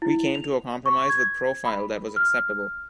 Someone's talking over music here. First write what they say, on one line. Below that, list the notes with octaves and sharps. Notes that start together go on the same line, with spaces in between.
We came to a compromise with Profile that was acceptable.
E4
F7
C#6
G#6
B5
F6